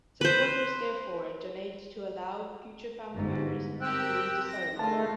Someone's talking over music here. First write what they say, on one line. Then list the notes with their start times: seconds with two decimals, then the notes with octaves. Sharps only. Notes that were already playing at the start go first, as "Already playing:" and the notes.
Supporters therefore donate to allow future family members to lead the ceremony.
0.21 B4 C5
3.14 G1 G#2
3.81 C4 G4 A#4 G5 E6 F#6
4.48 A#6
4.79 D#3 G#3 A3 F4 A5